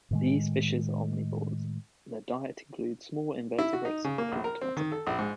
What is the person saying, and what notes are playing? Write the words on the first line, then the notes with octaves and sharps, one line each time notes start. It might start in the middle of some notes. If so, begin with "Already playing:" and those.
These fishes are omnivorous; their diet includes small invertebrates and plant matter.
A2 D#3 G#3
E4
F#4
D#4
C#3
A#3
A#1
A#4
C4
D#3
A4
A#1
G#2